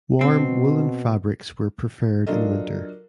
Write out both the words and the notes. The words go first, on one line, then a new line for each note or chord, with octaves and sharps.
Warm woollen fabrics were preferred in winter.
B2 C4
F#3 D4 F4 A4 A#4 D#5